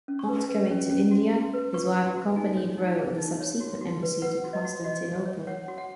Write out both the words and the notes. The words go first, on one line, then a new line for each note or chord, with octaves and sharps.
Not going to India, his wife accompanied Roe on the subsequent embassy to Constantinople.
C#4
C#6
B4
B4
C#4
C#4
F#4
F#4
B4
B4 C#6
F#4
F#4
D#4 G#5
C#5
D#4
G#4
D#4
C#5
F#4
F#4
B4
B4 F#5
F#4
D#5
F#4
F#4 D#5
F#4
C#5
C#5 F#5
F#4
F#5